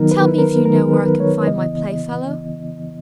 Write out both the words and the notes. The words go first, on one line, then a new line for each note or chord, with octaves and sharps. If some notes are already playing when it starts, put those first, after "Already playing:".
"Tell me if you know where I can find my playfellow."
Already playing: D#3 F#3 B3 D#4 A#4
B4
A#4
D#3 F#3 B3 D#4 A#4
B4
C#5
C#3 E3 B3 E4 D#5